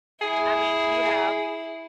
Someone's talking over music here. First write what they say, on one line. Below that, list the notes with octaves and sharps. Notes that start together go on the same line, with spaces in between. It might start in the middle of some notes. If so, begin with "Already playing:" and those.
I mean, you have
E4 G#4